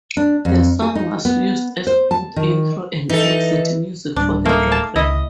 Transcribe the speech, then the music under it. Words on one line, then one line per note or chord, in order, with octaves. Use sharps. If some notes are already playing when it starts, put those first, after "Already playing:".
The song was used as both intro and exit music for the program.
D4
F2
G#4
D#4
B3
C5
A5
D#3
E3 D#4 A4
D1 G3 D4
A3 A#3 D#4
A5
C#2 E4 D#5